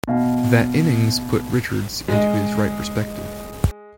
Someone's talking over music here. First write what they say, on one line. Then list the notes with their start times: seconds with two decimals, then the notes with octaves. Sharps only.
That innings put Richards into his right perspective.
0.08 B2 F5
2.08 G#3 D#5